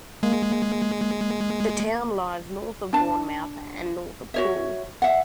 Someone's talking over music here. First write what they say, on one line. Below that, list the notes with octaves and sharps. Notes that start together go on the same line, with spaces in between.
The town lies north of Bournemouth and north of Poole.
G#3 A#3
D4 A5
F#4 C#5 E5
E5 F#5